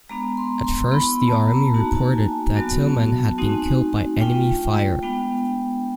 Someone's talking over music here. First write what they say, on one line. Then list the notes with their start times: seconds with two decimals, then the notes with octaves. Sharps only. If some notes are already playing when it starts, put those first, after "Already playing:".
At first, the Army reported that Tillman had been killed by enemy fire.
0.09 G#3 B3 D4 A#5
0.37 C6
0.64 C6
0.91 B3 E4 B5
1.27 A5
1.33 A#5
1.74 A#3 D#4 F#4 A5
1.85 A#5
1.95 A5
2.15 G#5
2.55 F#3 B3 D4 F#4 A5
2.97 A5
3.38 A3 C4 D#4 F#4 G#5
4.20 A3 D4 F4 G5
5.03 G#3 B3 D4 G5